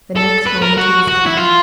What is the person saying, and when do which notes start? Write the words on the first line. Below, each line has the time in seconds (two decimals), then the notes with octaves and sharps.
The next moment he was gone.
0.16 A4
0.46 B4
0.62 A#4
0.78 F#4
1.08 F#4
1.26 E4
1.37 F4